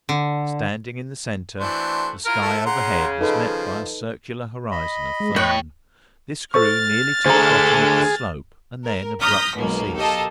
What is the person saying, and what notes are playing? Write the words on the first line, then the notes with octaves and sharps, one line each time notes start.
Standing in the centre, the sky overhead was met by a circular horizon of fern: this grew nearly to the bottom of the slope and then abruptly ceased.
D3
E3 A3 D4 F#4 C5
E4 F4 A#4 A#5
A3 A4
C#3 F#5 A#5 C6
F3 D#4 A4 B4
D#5 B5
G#3
A2 C#5 G5 C#6 F#6
A4 C5 C#6 F6 A6
D2 G#4 A4 C5 A#5
A#4
A#5 D#6 F6 G6 A#6 B6
B1 B2 G#3 A#3
G4 A4 A#4 D#5 F5